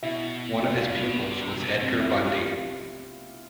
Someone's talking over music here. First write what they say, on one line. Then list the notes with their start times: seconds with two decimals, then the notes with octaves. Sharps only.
One of his pupils was Edgar Bundy.
0.03 B2 E4
0.62 F4
0.67 F2
0.81 G2 D4
0.94 A2
1.01 B3
1.08 B2
1.21 C3
1.33 D3
1.41 C3
1.61 B2
1.81 G2 C4
1.95 F2
2.00 E4
2.10 G2 G4
2.20 F4
2.25 A2